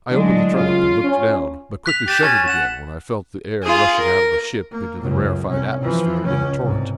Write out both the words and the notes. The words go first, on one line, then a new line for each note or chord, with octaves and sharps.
I opened the trap and looked down, but quickly shut it again when I felt the air rushing out of the ship into the rarefied atmosphere in a torrent.
A2 D3 F#3 G#3 D4
F#2 C#3 F4
C#4
F#6 B6 F7
G4 A6 B6 E7
C#4 G#5 A6
F#5 E7
F4 G#4
A#4
A#3
C#2 F#2
C2 C#4
E3 F3
C#2 C#4
C2 G#2